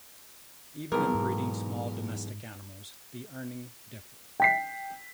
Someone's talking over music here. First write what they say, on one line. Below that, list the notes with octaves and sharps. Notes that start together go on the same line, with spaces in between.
Even in breeding small domestic animals, the earning differ.
B1 E2 G3 A#4
G#2
G5 B6 C7